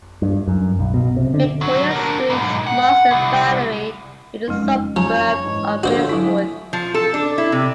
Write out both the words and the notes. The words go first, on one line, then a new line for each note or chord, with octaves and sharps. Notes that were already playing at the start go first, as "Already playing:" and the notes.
Victoria Street marks the boundary with the suburb of Millswood.
G2
F#2
B1
B2
C3
D3
G#2 F#3
D4 A#4
B1 G#2
F#5
C2
F#1 F2 G#3 D#4
F3 C#5 G#5 A#5
G#2 E3
A#1 D3 F4 F#4 C5 C#5 E6
F#3 E4 G#5 B6
F3
A4
D4
E4
C3